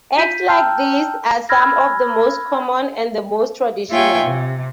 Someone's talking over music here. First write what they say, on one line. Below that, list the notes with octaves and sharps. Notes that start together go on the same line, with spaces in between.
Acts like these are some of the most common, and the most traditional.
F4 G6 B6 D#7
G5 A5 A#5 E6 F6 G6
B5 E6 F6 G#6 A#6
A#3 F4 C#5 E5 G5 G#5
C3